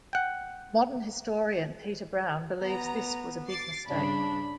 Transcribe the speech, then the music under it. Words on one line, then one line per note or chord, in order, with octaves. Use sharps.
Modern historian Peter Brown believes this was a big mistake.
F#5 G5
B3 A#5
D6 A6 C7
G2 C#3 D4 B5